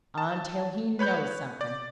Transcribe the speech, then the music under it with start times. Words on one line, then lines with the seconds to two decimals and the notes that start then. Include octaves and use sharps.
"Until he KNOWS something!"
0.18 A5
0.99 B4 C#5 B5 G6
1.61 D5